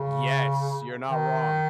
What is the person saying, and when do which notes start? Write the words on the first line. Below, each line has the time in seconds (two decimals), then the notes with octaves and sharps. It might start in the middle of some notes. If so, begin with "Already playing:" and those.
Yes. You're not wrong.
Already playing: C#3
1.11 D#3